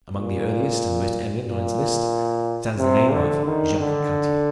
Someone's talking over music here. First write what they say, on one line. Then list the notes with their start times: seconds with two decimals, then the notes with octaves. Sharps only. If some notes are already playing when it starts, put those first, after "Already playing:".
Among the earliest and most eminent on its list stands the name of Jacques Cartier.
0.14 A#2
1.46 A#2
2.78 C3
3.11 D3
3.45 D#3
3.79 D3